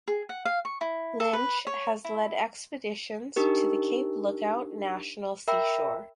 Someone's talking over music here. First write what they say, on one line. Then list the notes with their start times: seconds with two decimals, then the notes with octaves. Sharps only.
Lynch has led expeditions to the Cape Lookout National Seashore.
0.08 G#4
0.29 F#5
0.45 F5
0.65 C#6
0.81 E4
1.20 A4
1.33 B4
1.67 C#5
2.05 E4
3.36 D4 D#4 G4 A#4
5.48 A#4 E5 G5 B5 E6